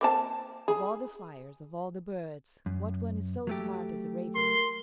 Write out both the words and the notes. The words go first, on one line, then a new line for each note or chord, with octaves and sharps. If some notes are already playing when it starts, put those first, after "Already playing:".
Of all the fliers, of all the birds, what one is so smart as the raven?
A#3 C4 A5
G#4
F#2
F#3 A3 G4
A#4 C6